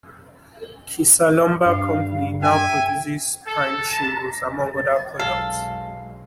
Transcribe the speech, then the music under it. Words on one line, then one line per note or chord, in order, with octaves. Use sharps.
Kiser Lumber company now produces pine shingles, among other products.
G2 F5
E5 G5 G#5
A4
A5
B1 G#3 A4 F5